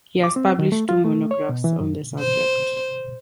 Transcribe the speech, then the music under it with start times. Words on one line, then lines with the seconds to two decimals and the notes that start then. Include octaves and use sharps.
He has published two monographs on the subject.
0.24 D6
0.36 C4
0.59 D#3
0.72 A3
0.89 F4
1.05 A3
1.31 C#5
1.49 B2
1.64 E3
1.80 F#2
2.19 C5